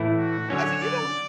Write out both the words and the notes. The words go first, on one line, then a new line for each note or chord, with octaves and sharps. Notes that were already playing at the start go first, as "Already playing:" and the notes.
said, "You don't"
Already playing: A2 E3 A3 E4
F#4
D3 F#3 C#4 C#5
D5